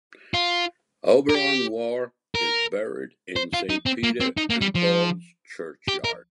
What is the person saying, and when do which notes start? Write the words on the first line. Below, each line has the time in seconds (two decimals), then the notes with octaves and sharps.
Auberon Waugh is buried in Saint Peter and Paul's churchyard.
0.34 F4
1.29 A#4
1.35 G4
2.35 A#4
3.36 C5
3.53 F4
3.70 D#4
3.86 C4
4.03 A#3
4.20 C4
4.37 D#4
4.50 A#3
4.61 G3
4.75 F3
5.88 G4
6.04 A#4